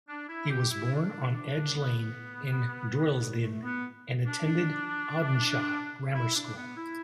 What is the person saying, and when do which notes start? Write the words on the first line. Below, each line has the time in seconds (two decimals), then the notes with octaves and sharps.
He was born on Edge Lane in Droylsden and attended Audenshaw Grammar School.
0.08 D4
0.28 E4
0.49 G4
0.70 E4
0.92 D4
1.33 D4
1.74 B3
3.41 A3
3.63 B3
4.26 D4
6.13 E4
6.35 D4
6.55 B3
6.76 E4